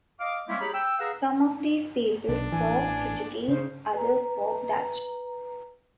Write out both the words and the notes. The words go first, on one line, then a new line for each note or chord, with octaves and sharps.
Some of these people spoke Portuguese, others spoke Dutch.
D#5 F5 D6
G3 G#3 A#3 C4 C#4 E4
G4 G#4 C#5 A#5 B5
G5 E6
G#4 B4 F5 F#5 A#5 E6
B1 D4
A1 E3 G#5
C#3 C5
B4 A#5